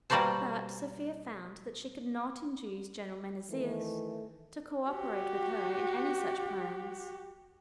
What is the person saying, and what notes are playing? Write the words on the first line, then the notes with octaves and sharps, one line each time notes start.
But Sophia found that she could not induce General Menesius to co-operate with her in any such plans.
B2 G3 A#3 F#4 C5 A5
D#3 E3 A3
F#4 G4